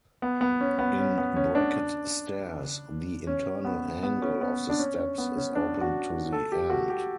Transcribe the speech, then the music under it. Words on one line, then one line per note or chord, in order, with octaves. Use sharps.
In bracket stairs the internal angle of the steps is open to the end.
B3
B3
C#4
B3
C#4
B3
C#4
D4
C#4
B3
B3
C#4
B3
D4
C#4
C#4
B3
C#4
D4
F#4
A4
G4
F#4
G4